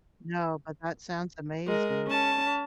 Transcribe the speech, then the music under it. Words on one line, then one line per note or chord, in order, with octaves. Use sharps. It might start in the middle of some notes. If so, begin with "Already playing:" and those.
No, but that sounds amazing.
G#3 A#4
C#4 A5